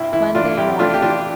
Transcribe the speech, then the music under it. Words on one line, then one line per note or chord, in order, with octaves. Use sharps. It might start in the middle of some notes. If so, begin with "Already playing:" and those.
Monday morning.
Already playing: G2 C3 E4
E3 E4
E3 D4 F4
F2 E4 G4
A3 D4 F4
G4
E3 D4 F4